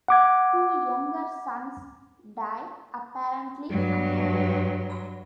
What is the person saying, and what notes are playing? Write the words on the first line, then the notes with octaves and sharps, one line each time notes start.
Two younger sons died apparently unmarried.
F#5 D6 G#6
G2 F#3